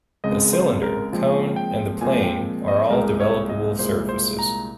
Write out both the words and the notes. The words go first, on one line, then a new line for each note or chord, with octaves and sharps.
The cylinder, cone and the plane are all developable surfaces.
C#2 C#3 G#3 C4 D#5
C5
A#4
A#2 F3 G#3 C4
G5
A#2 F3 G#3 C4 G#5
G5
D#5
C2 A#2 G#3 A#4
C#5
D#5
C2 A#2 G#3 C5
C5
A#5